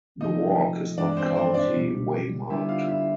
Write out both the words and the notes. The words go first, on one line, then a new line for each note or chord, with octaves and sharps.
The walk is not currently waymarked.
C2 C3 F3 A3 D#4 D#5
G2 E3 G#3 B3 D4 D5
C4 C5
C4 C5
D4 D5
C#2 B2 G3
D3 G3 B3 D4 E4 E5
F4 F5
E4 E5